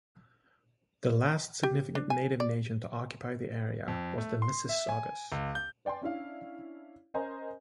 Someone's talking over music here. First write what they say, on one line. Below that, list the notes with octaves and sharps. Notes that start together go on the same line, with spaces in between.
The last significant native nation to occupy the area was the Mississaugas.
G4
D4
G#5
D5
F2
A3
C6
E5
G#5
C#2
G6
B4 D5 G5 G#5 C6
C#4 D4 E4 F5
C#4 A#4 C5 D#5 G#5 A#5